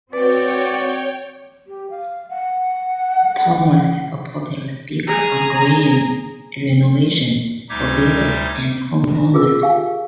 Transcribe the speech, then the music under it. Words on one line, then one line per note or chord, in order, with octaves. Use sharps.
Thomas is a popular speaker on green renovation for builders and homeowners.
C4 F#4 B4 C#5 D5 G5
G4
F5
F#5
G#4 A#5
D2 G3 D#4 E5 D6 G#6
F4 G#4 A#4 E6
G4 F5 G#5